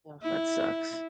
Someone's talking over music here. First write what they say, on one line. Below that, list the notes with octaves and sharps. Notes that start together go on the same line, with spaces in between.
Ugh, that sucks,
E4